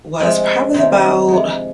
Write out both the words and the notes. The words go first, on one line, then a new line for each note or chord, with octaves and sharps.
was probably about
C3 F3 G#3 C4
C3 D#3 G#3 C4
C3 F3 G#3